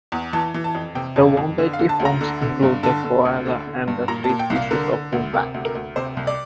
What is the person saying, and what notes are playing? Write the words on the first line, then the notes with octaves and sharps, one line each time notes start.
The Vombatiformes include the koala and the three species of wombat.
E2
E3 A5
E3
A5
F2
C3 G5
F2
F2
D3
F5
D3
A5
D2
A#5
D3
D3
G2
D3 A5
D3
D2
D3
D3
G2
A#2 A#5
A5
A#2
G5
C2
F5
D3 A#4
D3
D2
C3 A#4
D2
A#4
D2
C3 C5
C2
D5